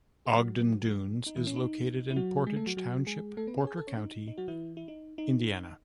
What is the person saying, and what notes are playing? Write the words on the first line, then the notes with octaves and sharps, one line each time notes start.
Ogden Dunes is located in Portage Township, Porter County, Indiana.
G#4
F#3 F#4
D#4
E3 E4
C#4
D#4
E4
F#3 F#4
G#3 G#4
A3 A4
F#3 F#4
F#3 F#4
G#3 G#4
A3 A4
B3 B4
C#4 C#5
G#4 G#5
A4 A5
C#4 C#5
D#4
D#4
F#3 F#4
E3 E4
E4
D#4
D#4